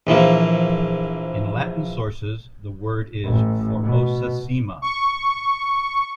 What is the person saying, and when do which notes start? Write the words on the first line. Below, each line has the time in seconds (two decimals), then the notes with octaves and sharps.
In Latin sources, the word is "formosissima".
0.07 A#1 E3 F3 A#3
3.25 A1
3.83 B2
4.82 C#6